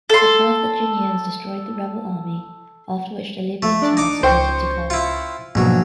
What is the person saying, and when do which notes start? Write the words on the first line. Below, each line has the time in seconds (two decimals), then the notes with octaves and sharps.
The Carthaginians destroyed the rebel army, after which the Libyan towns submitted to Carthage.
0.10 A4 C6
3.62 F3 A3
3.82 D4 D5 A5
3.97 D#4 D6
4.23 C#2 C5 G5 C#6
4.90 E4 F4
5.55 A#1 G#2 B2 F#3